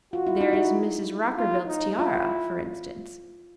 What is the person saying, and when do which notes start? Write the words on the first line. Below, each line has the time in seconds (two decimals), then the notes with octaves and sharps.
There is Mrs. Rockerbilt's tiara, for instance.
0.13 F4 F#4
0.27 E4
0.41 D#4
0.53 E4
1.37 F4
1.67 D#4
1.98 E4 F4